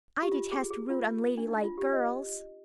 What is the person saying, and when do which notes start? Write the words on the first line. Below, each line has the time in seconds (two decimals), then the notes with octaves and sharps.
"I detest rude, unladylike girls!"
0.22 G4
0.32 F4
0.52 G#4
0.70 G#4
0.90 F4
1.38 D4
1.48 D#4
1.64 F4
1.78 G4
1.93 D#5